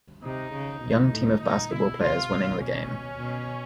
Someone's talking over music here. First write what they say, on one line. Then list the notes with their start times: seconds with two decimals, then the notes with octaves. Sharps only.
Young Team of Basketball players winning the game.
0.23 C3 D#4
0.53 C#3
0.82 B2
1.13 A2
1.41 A#2 D#4
1.70 B2 E4
2.01 C3 F4
2.30 B2
2.60 C#4
3.18 B2